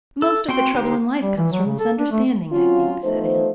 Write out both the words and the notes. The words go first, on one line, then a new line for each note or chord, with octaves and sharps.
"Most of the trouble in life comes from misunderstanding, I think," said Anne.
A4
C4 F#4 G5 C6
D3 D#4 G4 C5
G3
E3
F#3
C#3
A4
D4
A3
F#3 C4 C#4 F4
F3 A3 B3 D#4 C5